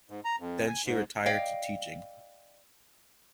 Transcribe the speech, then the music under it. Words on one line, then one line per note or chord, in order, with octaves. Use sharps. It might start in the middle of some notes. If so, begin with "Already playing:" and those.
Then she retired to teaching.
G#2
A#5
F2
G#5
G#2
D5 D#5 F5 G5